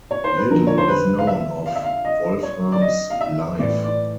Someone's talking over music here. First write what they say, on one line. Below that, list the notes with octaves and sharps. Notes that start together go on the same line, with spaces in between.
Little is known of Wolfram's life.
C#5
C5
B4
F2 D3 F3 A#4
C#5
C5
B4
F5
E5
F5
E5
F5
D#5
C#5
D5
D#5
F5
E5
A2 E3 D5
D5